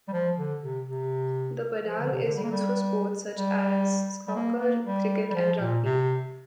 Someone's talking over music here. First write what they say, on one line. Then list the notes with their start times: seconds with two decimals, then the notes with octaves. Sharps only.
The Padang is used for sports such as soccer, cricket and rugby.
0.08 G3
0.13 F3
0.37 D3
0.62 C3
0.87 C3
1.86 F3
1.99 D3
2.11 C3
2.24 D3
2.36 G3
2.43 A#3
2.51 G3
3.36 G3
4.27 G3
4.35 A#3
4.60 A#3
4.85 G3
5.30 G3
5.35 F3
5.60 A#2
5.84 C3